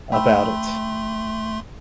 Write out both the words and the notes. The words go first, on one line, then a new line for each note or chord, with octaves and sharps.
about it,
A3 G5 B5 C6 E6